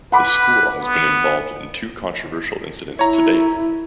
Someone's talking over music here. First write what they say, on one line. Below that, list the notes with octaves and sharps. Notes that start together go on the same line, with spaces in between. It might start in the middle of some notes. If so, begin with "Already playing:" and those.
The school has been involved in two controversial incidents to date.
B4 F#5 B5 D6
B3
E4 C#5 A#5